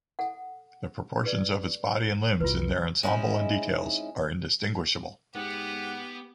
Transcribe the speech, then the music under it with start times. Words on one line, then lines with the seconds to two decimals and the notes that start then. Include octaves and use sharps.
The proportions of its body and limbs in their ensemble and details, are indistinguishable.
0.19 A4 F#5
1.23 G#4 B4 D5
2.41 C2 F4 F#4 B4
3.03 G#3 C4 C#4 D#4 E4 G#4
5.35 G#2 B3 G4 F#5